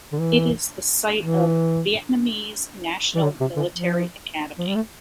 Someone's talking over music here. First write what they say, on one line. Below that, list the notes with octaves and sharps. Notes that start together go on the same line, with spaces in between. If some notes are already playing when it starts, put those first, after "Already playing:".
It is the site of Vietnamese National Military Academy.
D3
E3
E3
E3
D3
C3
D3
F3
F3
G3
A3